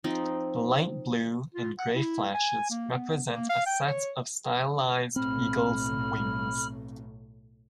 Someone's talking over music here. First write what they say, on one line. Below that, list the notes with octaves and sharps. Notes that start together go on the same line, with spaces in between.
The light blue and grey flashes represent a set of stylised eagle's wings.
F3 C4 D#4
F4
F#5
E4
G#5
A#3
B3
A#3
F5
G5
C#5
B1 A2 C4 B5 F6